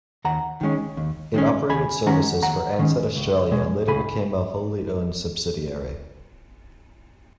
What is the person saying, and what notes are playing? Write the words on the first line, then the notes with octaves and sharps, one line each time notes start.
It operated services for Ansett Australia and later became a wholly owned subsidiary.
D#2 F#5 A#5
D#3 G#3 C#4
D#2
D#3 G#3 C#4
D#2 G#5 B5
D#3 G#3 C#4 F#5 A#5
D#2 F#5 A#5
D#3 G#3 C#4
C#2
B2 G#3
C#2 G#5 B5